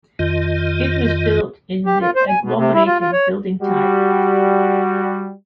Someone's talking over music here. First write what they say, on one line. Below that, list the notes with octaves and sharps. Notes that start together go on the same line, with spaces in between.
It was built in the "agglomerated building type".
F2 D#3 F4 D#5
G4
F4
C5
G#5
B2
C3
E4
F4
F4
C#5
G3 F#4